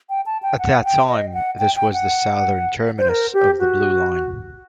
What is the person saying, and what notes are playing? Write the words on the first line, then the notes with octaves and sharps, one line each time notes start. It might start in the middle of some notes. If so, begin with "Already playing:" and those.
At that time, this was the southern terminus of the Blue Line.
G5
A5
G5
F#5
G5
D#5
F#5
G5
G5
F#5
C5
A#4
G4
F#4